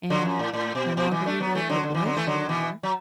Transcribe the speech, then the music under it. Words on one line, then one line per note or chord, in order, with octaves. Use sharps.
and the longer you live, the blessed you are.
D3 F#3
F#2
A2
A2
B2
B2
B2 E3
A3 D4
F#3 B3
E3 A3
D3 F#3
D3
B2 E3
D3 F#3
E3 A3
D3 F#3
B2 E3
F#3